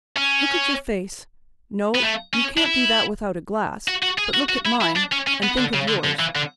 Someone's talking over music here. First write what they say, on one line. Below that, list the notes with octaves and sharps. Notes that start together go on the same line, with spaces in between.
Look at your face--no; you can't do that without a glass--but look at mine, and think of yours.
C#4
B3
A3
C#4
D4
E4
F#4
F#4
G#4
F#4
F#4
E4
E4
D4
C#4
C#4
B3
D3
C#3
D3
D3
E3
D3